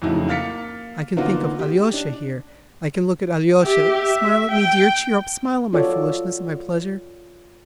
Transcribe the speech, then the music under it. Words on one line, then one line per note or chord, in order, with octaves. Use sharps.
I can think of Alyosha here, I can look at Alyosha ... smile at me, dear, cheer up, smile at my foolishness, at my pleasure....
F2 A2 C#3 F#3 D#4 E4
A#3 F5 F6 A6 B6 C#7
D3 A#3 B3 D#4 F4 F#4
G4
D4
G4 E5
E5
G5
F4 F#4 A4 C#5 D5